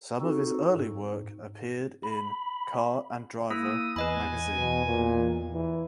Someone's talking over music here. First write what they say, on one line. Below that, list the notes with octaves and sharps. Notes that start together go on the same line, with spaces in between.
Some of his early work appeared in "Car and Driver" magazine.
C4 D#4 F#4 A4
G#2
B5
A#3 E4 D#6 E6
E2 B4 D#5 G#5 B5
B2
A#2
E3